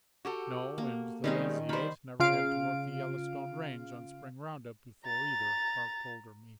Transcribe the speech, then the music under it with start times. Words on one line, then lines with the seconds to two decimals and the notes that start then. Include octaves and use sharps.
"No, and the Lazy Eight never had to work the Yellowstone range on spring roundup before either," Park told her meaningly.
0.25 F#4 G4 A4
0.78 A#3
1.24 D#3 G3 G#3 C4 C#4 D#4
1.69 D#3 G3 C5 B5
2.20 C#3 F4 F5 D7
5.06 A#5 A6